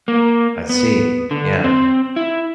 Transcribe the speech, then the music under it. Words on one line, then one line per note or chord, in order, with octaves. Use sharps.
I see. Yeah.
A#3
B3
D3
C4
E4